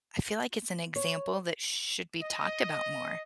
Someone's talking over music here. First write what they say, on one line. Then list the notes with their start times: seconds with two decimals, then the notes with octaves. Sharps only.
I feel like it's an example that should be talked about more.
0.96 C#5
2.22 D#5